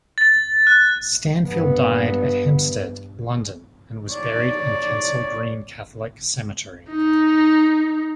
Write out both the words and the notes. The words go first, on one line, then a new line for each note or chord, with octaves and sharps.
Stanfield died at Hampstead, London, and was buried in Kensal Green Catholic Cemetery.
A6
F#6
G2 B3
C#5 D5
D#4